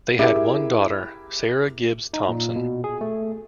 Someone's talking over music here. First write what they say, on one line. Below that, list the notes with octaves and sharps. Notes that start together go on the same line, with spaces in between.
They had one daughter, Sarah Gibbs Thompson.
E4 G4 G#4 A#4 E5 D6
D#4
A#2
B2
G#4
A3